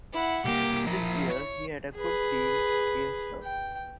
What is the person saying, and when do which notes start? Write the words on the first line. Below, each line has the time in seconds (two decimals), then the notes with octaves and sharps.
This year he had a good deal against her.
0.13 E4 F#5
0.45 C2 A#3 G4
0.87 F3 E4 A#4
1.30 C#5
1.96 G#4 B4
3.43 G5